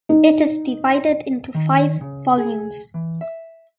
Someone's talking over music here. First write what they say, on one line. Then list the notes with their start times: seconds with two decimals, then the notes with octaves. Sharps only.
It is divided into five volumes.
0.09 D#4
1.55 D#3
2.01 C#3
2.38 G#4
2.94 E3
3.21 E5